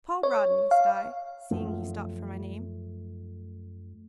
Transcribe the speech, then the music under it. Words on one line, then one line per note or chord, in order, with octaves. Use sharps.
"Paul Rodney," said I, seeing he stopped for my name.
C#5
F5
F#2 F3 A3